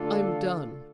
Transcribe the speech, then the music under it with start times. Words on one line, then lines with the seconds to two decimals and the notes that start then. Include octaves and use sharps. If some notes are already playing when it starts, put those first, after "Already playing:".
"I'm done."
Already playing: D3 A3 D4 F4 A4